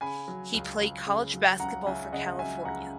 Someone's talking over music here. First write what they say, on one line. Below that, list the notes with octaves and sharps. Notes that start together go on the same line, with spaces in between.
He played college basketball for California.
C#3 G#5 B5
F#3
C#2
C#2
C#3
F#3
C#2 F#5 A#5
C#2 E5 G#5
C#3 D#5 F#5
F#3 E5 G#5
C#2 F#5 A#5